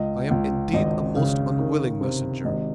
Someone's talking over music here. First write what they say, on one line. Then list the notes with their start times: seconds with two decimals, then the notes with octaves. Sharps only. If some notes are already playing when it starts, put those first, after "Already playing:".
I am indeed a most unwilling messenger.
Already playing: C#2 D#5
0.31 C#2
0.73 G#1 D#5
1.16 C#3
1.59 D#3
2.01 C3
2.45 G#1 D#5